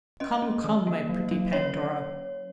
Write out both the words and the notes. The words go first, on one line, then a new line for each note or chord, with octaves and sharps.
Come, come, my pretty Pandora!
C#4 D#5
C#4
D#3
A#3
F#3
F#3
C#4 C#5